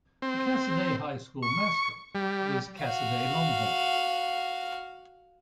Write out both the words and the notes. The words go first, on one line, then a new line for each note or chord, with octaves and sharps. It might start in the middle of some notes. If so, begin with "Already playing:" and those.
The Cassoday High School mascot was Cassoday Longhorns.
C4
C#6
G3
F#4 F5